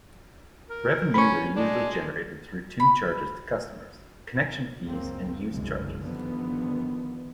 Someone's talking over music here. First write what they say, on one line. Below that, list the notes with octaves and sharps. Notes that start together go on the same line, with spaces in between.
Revenues are usually generated through two charges to customers: "connection fees" and "use charges".
A#4
C#4 B5 C#6
G#3 D4
B5
C#2 F#2 A#3 C4
F#1 B1 D3 E3 G#3
G2 D3 D#3 F3 B3